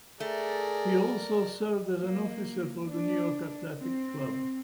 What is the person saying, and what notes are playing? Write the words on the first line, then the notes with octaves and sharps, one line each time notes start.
He also served as an officer for the New York Athletic Club.
A3 G#4 A#4 D5
A#3
D4
C4